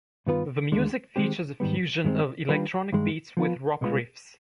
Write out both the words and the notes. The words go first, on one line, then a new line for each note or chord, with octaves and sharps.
The music features a fusion of electronic beats with rock riffs.
G2 D#3 B3 F4 B4
D#2 D3 G#3
D#3 G#3 C4 G4
G#2 D#3 G3 B3
G2 D#3 G#3 C4
D#3 G3 D4 F4 B4
G2 D#3 G#3
F3 B3 F4 B4
C2 B2 G#3 B3 F4